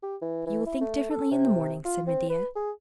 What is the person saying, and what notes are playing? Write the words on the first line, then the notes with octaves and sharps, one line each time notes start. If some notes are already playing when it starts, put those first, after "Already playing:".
"You will think differently in the morning," said Medea.
G4
E3
E3
E4
A3
A4
C3
F4
C4
B4
G#4